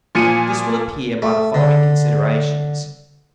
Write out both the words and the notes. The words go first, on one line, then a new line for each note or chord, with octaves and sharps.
This will appear by the following Considerations.
A#2 F3 G#5 C#7 D#7
A3
D3